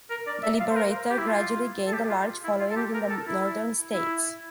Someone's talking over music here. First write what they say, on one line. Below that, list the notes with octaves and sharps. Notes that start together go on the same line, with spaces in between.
"The Liberator" gradually gained a large following in the northern states.
A#4
D5
E5
F5
C5
A#4
G4
E4
F4
A4
G4
F4
E4
F4
A4
G4
A#4
A4
E4
E4